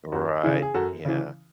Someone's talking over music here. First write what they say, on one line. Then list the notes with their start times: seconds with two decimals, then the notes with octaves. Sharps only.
Right, yeah.
0.12 F#2 F#4
0.43 C#3 E3 E4 G#4
0.62 G#4
0.74 F#2 F#4 A4
1.05 C#3 E3